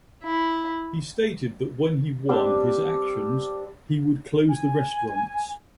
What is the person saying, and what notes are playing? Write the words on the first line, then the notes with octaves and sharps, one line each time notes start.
He stated that when he won his actions he would close the restaurants.
E4
G3 C4 D4 G4
G#5